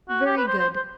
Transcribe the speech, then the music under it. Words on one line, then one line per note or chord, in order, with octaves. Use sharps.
Very good.
F#4
G4
B4
C5
C5
C5